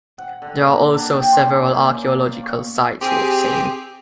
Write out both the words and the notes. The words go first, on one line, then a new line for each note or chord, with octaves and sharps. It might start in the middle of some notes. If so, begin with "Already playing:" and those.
There are also several archeological sites worth seeing.
F#5
D3
A#3
D4
G5
C6
C#4
A#2
D5
F5
C#6
C4 G4 G#4